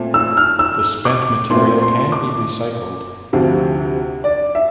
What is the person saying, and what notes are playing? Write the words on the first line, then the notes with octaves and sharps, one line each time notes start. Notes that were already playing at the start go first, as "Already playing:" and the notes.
The spent material can be recycled.
Already playing: A#2 A3 C4
E6
F6
E6
D6
A#2 A3 C4 C6
C6
D6
D2 C3 F3
D5
E5